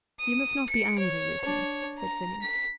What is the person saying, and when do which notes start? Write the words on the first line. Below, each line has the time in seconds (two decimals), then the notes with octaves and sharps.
"You must not be angry with me," said Phineas.
0.20 D#6
0.69 C#7 D7
0.98 C#5
1.42 D4 C#5
1.99 A#5 A#6
2.41 B6